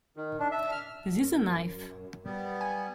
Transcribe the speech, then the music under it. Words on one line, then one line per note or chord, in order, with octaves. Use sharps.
This is a knife!
D#3
D4
E5
F6
F#2
G3 B3
G#5